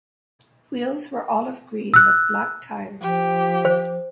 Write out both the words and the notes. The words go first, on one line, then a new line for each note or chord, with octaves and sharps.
Wheels were olive-green with black tyres.
E6 F#6
F3 G4
C5